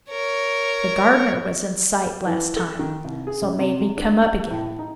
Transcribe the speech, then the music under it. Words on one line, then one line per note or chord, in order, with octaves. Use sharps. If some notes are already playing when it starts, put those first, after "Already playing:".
The gardener was in sight last time; so made me come up again.
A#4 C#5
E3
A4
D#3
C2
G#4
F#2
C3
D4
F#5
A2
D#4